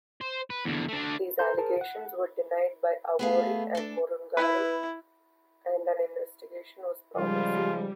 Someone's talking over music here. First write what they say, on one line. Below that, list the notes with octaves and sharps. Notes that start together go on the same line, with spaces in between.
These allegations were denied by Awori and Murungaru and an investigation was promised.
C5
B4
E2 D3
A3 D4
A4 C5 A#5 C6 G6
G#4 A#4 C5 A5
F#5
A3 B3 G#4 F5
D4 A4
E4 B4
G#2 C#3 F3 G3 F4